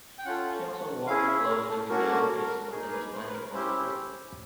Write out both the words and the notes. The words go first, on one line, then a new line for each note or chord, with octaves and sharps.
He also worked closely with the Office of the Hispanic Apostolate.
G5
C#4 F4 A4 F#5
C#4 E4 G#4 F5
E5
A#4
A4
A#3 C#4 F#4 A4 A#4
A#4
A#4
A#3 D#4 G#4 A#4
B4
C5
B4
A#4
C#4 E4 G4 C5